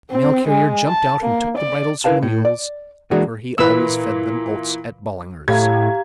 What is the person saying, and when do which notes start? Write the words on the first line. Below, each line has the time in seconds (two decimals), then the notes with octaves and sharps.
The mail-carrier jumped out and took the bridles from the mules, for he always fed them oats at Ballinger's.
0.11 C4
0.48 G#3
0.89 A5
1.22 A#3
1.57 D5
2.04 E4 A#4 B4 F5 A5
2.23 A2
2.45 D5
3.11 E3 G#3 A#3 D4 F#4 G#4
3.58 A#2 E3 B4 E6
5.48 A2 G4 F5 A#5 G#6